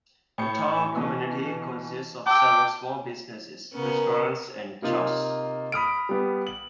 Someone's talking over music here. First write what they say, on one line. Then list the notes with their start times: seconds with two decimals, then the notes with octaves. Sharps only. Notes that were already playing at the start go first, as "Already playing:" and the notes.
The town community consists of several small businesses, restaurants and churches.
0.38 A2 C#7
0.92 B2 E3
2.27 G5 A5 D6 E6
3.74 C#3 B3 C#4 A#4
4.82 C3 A#3 D#4 F4
5.72 B5 D#6 F6 D7
6.09 G3 B3
6.47 F#7